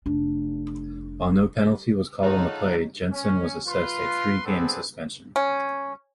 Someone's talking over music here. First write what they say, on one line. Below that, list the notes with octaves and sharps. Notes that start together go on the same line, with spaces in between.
While no penalty was called on the play, Janssen was assessed a three-game suspension.
F1 D4
D#4 F4 G#4 A4 C#5 F#5
C#4
F4 B4 C6
B3 C4 D4 G#4 A4 B4
C#4